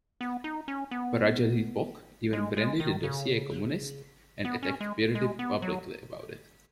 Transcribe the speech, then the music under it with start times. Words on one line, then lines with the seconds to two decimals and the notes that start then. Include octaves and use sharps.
Prajadhipok even branded the dossier "communist" and attacked Pridi publicly about it.
0.21 B3
0.44 D#4
0.68 C#4
0.91 B3
2.33 G#3
2.57 G#3
2.80 D#3
3.03 C#3
4.45 B3
4.63 C#4
4.81 G#3
5.15 G#3
5.39 B3
5.62 F#3